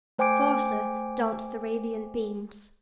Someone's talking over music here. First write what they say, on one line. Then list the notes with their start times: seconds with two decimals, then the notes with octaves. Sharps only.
Faster danced the radiant beams.
0.18 A3 C5 G5 G#5 D6 D7